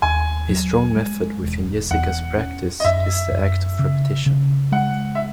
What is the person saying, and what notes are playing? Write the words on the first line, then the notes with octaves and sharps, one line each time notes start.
A strong method within Jessica's practice is the act of repetition.
D#2 G#5
F#3
G#3
E1
E2 F#5
C#4
D#5
F#2 E5
F#2
C#3
C#3
G#3 F#5
E5